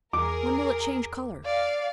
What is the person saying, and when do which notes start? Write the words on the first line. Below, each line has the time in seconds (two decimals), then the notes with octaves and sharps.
"When will it change colour?"
0.13 E2 G#4 A#4 D6
1.45 D5 F5